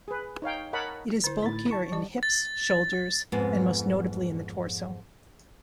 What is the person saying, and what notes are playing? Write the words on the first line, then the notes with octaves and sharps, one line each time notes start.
It is bulkier in hips, shoulders, and most notably in the torso.
G#4 B4
D#4 C#5 F5 G5
A#4 C#5 D#5 F#5 A5 B5
D3 E4 C5
A2 D#4 E4 A6
A5 C#6
G3 G4 D5
A6
F2 G#2 B3